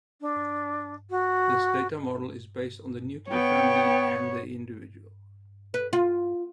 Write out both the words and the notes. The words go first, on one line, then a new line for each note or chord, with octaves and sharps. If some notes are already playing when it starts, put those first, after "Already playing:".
This data model is based on the nuclear family and the individual.
D4
F#4
B3 C#5 G5
B4
F4